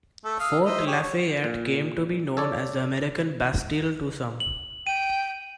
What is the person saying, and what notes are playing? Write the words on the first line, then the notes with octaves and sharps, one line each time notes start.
Fort Lafayette came to be known as the "American Bastille" to some.
A3 A4
F5 D#6 E6
C5 D#5 E5
G4 G#4 C#5
C#5 C#6
A#2
A4 C#5 D5
F#7
G5 D#7